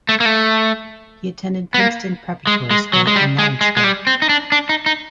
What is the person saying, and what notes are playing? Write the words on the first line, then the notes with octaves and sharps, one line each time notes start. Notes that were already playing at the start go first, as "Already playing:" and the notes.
He attended Princeton Preparatory School in Lawrenceville.
A3
A#3
A3
B3
A#3
G#3
G#3
F#3
G#3
G3
G#3
G#3
G#3
G3
C4
D#4
D4
D4
D#4
D#4